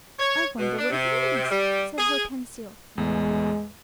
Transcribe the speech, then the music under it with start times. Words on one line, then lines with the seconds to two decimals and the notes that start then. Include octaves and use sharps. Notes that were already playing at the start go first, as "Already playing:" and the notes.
"I wonder what it means," said Hortensio.
0.19 C#5
0.58 B2
0.78 D4
0.90 C3
1.50 G3
1.98 G#4
2.98 E2 A2 G#3